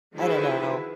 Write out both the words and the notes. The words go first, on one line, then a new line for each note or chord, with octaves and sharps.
I don't know.
D#3 F3 E4 F#4 G#4 B4